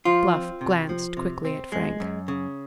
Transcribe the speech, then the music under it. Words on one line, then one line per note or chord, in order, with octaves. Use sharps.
Bluff glanced quickly at Frank.
F3 F4
C4
C3
F3
C3
C4
G#3
F#2
C#3